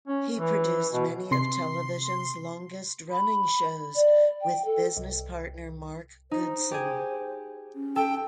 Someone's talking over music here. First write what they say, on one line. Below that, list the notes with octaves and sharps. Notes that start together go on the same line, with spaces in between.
He produced many of television's longest running shows with business partner Mark Goodson.
C#4
E3
B2
C3 C6 C7
B5
D5
G5
A4
C2
D#4 C5
G4 G#4
C#4
A4 G5